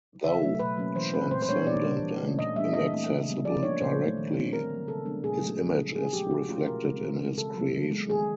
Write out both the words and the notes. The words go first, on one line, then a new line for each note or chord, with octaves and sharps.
Though transcendent and inaccessible directly, his image is reflected in his creation.
C#3 E5
F#3 A3
B2 B4
F#3 A#3 C#4
E3 C5
G#3 C4 B4
A#2 C5
C5
G3 A#3 D4 C#5
A#2 D5
G3 A#3 D4
E3
A3 C#4
A#2 D#5
G3 A#3 D4 E5
E3 D#5
A3 C4
C#3
E3 G3 B3
F3 D5
A#3 D4 C#5
A#2 C5
F#3 A3
D#3
G3 C4
D3 A#4
F#3 A#3
C#3 A4
F3 G#3 B3 D4
A#2 G#4
F#3 A3
C#3
F3 G#3 C#4
A#2 G#4
F3 G#3 G4
E3 F#4
A3 C#4 F4
B2 A#4
G#3 C4
E3
G#3 C4
C#3 A4
F#3 A#3
E3
G#3 B3
D#3 G#4